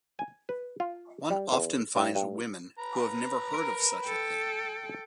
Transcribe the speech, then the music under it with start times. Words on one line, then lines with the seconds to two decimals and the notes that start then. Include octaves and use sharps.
One often finds women who have never heard of such a thing.
0.19 G#5
0.49 B4
0.80 F4
1.30 G3
1.52 E2
1.96 G2
2.15 G2
2.79 B4 A#5
3.49 A#4
4.05 A4 G5